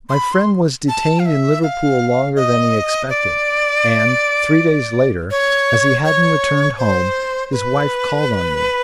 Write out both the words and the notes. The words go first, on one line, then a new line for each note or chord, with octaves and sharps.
My friend was detained in Liverpool longer than he expected; and, three days later, as he hadn't returned home, his wife called on me.
C6
B5
C6
A5
F5
E5
F5
D#5
D5
C#5
C#5
C5
B4